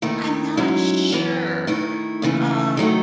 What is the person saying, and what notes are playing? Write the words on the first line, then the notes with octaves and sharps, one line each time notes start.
I'm not sure, um.
D#2 D#3 A3 E4
G#2 F#3 C#4 E4
F#2 E3 B3
D#3 A3 E4
D#2 C#3 E3 A3
D#3 F#3 A3 D#4